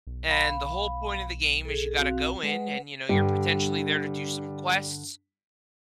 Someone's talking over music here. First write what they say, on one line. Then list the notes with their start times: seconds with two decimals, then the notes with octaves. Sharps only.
And the whole point of the game is you gotta go in and, you know, you're, potentially, there to do some quests,
0.07 B1
0.29 F5 B5
1.65 G#4 A4
1.98 C4 F#4 F5
2.43 G#3 B4 F#5
3.09 G2 D3 G3